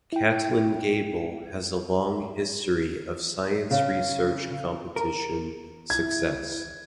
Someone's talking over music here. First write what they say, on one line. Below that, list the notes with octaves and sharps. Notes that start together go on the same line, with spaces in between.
Catlin Gabel has a long history of science research competition success.
E4 G5
C#3
A#4
E4 G#6